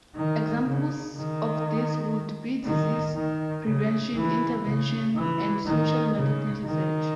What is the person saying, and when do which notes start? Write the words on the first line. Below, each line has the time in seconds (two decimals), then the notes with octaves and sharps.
Examples of this would be disease prevention interventions and social marketing research.
0.16 D#3
0.65 C#3
1.15 D#3
2.65 D#3
3.15 D#3
3.65 C#3
4.16 E3
4.65 C#3
5.16 E3
5.66 D#3
6.16 C#3
6.65 D#3